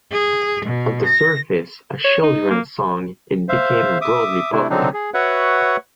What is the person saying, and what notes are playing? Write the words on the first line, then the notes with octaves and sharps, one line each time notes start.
On the surface a children's song, it became broadly popular.
G#4
B2
A#6
C#5
D#4
A#3
C5 E5 F5
E5 D6 D#6
C3 A3 D4 E4
D3 F#3 C4 D4 D#4
G#4
F#4 B4 C#5 E5 F#5